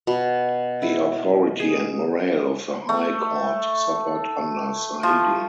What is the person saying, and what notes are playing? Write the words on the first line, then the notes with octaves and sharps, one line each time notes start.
The authority and morale of the High Court suffered under Saidi.
B2
E4
G#4
A3
F3